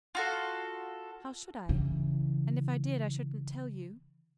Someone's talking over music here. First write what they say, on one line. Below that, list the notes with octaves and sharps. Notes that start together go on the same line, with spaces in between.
How should I? And if I did I shouldn't tell you.
F4 F#4 A4
C#3 E3